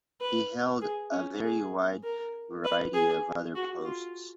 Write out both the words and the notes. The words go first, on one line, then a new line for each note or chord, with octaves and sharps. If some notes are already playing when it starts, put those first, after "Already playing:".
He held a very wide variety of other posts.
B4
G#4
C#4
G#4
A#4
B4
G#4
F#4
F4